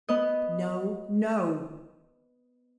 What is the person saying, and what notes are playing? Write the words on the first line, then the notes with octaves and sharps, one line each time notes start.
"No, no!"
B3 D#5